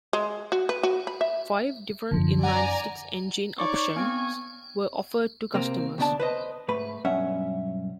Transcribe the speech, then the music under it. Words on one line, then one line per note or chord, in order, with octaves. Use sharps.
Five different inline six engine options were offered to customers.
G#3
F#4
B4
F#4
B5
E5
F#2 D3 F3 D#4
D5 F#5 G#5 A#5
D#4 C#5 D5 C#6
B3 C4 G#5
C3 A#3 C4
D2 B2 D4 A5
B4 C5 D#5
G#2 A3 B4 B5
B1 G2 C#4 E5 F#5